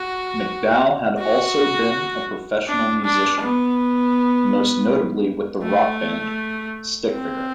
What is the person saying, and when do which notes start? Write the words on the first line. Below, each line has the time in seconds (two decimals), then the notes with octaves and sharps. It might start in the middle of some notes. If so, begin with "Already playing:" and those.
McDowell has also been a professional musician, most notably with the rock band, Stickfigure.
Already playing: F#4
1.19 F#4
2.67 D4
3.04 D4
3.40 B3
5.63 A3
7.11 C4